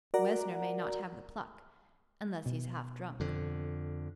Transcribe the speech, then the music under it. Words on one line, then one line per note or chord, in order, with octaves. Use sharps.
Wessner may not have the pluck, unless he is half drunk.
F#4 A#4 D5 F#5 A#5
B2
F2 D3